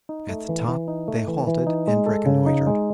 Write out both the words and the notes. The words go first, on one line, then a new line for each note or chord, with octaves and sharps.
At the top they halted and reconnoitred.
D#4
A3
E3
E3
D#4
A3
E3
E3
D#4
G#3
A4
C#3
D#4
G#3